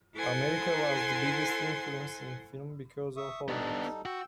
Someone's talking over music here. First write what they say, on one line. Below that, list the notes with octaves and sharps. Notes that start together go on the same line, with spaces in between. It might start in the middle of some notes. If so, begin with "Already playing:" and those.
America was the biggest influence in film because of Hollywood.
E4 A4 C5 F#5 G#5 C6
E5 C#6 D#6
G3 B3 D4 D#4 A4
F#4 G5 E6